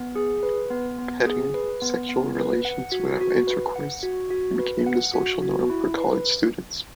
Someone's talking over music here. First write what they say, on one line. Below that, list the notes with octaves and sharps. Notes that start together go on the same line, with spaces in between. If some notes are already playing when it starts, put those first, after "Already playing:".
"Petting", sexual relations without intercourse, became the social norm for college students.
Already playing: B3
G#4
B4
B3
B3
G#4
B4
B3
B3
B4
F#5
F#4
F#4
B4
F#5
F#4
F#4
B4
F#5
F#4
F#4
E4
B4